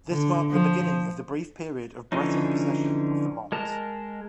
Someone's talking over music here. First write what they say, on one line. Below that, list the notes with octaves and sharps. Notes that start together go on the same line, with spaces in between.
This marked the beginning of the brief period of Breton possession of the Mont.
D3
F3
D3 E3 F3 C#4 D#4
G#3 A#4 A5